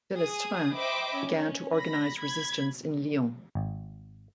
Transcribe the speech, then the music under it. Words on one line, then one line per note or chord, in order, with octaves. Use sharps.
Delestraint began to organize resistance in Lyon.
G#4 D#6
C5 D#5 E5 G5 B5 D6
C#4
B5 A#6
B5 G#6
G#1